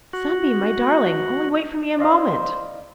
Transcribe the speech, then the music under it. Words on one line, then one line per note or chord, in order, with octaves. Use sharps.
'Sunbeam, my darling--only wait for me a moment.'
F#4
C5 D5 D#5 F5